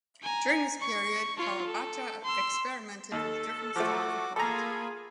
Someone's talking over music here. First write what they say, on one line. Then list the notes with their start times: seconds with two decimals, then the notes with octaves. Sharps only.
During this period, Kawabata experimented with different styles of writing.
0.23 G#5 A#5
0.81 C#6
1.38 F4 C#5
1.67 A4
2.24 C6 E6
3.12 D#2 A4
3.76 F3 A3 F#4 F#5 D6
4.36 A#3 F4 G#4 A4 A#5 B5